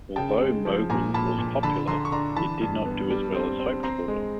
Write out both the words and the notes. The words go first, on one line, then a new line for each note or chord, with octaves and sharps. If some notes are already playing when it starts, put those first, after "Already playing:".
Although "Mogul" was popular, it did not do as well as hoped for.
C#3 G5 A5
G#3
F3
A#2 G#5 A#5
A#2 A5 B5
A#2
D3 A5 B5
D3 A#5 C6
C#6
D4 A#5 C6
E3 A5 B5
G2
B3
G3
C4
C4
C4 A#5 C6
G#3